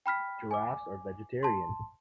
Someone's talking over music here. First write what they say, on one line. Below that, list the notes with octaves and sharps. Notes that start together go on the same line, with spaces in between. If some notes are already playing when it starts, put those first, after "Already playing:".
Giraffes are vegetarians.
G5 B5 F6 B6
G#5 D6
A5 C6